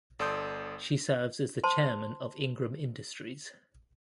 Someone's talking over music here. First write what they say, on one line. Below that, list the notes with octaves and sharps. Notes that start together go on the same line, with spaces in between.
She serves as the chairman of Ingram Industries.
G1 A4 D5 C6 D#6 G6
C5 A5 C6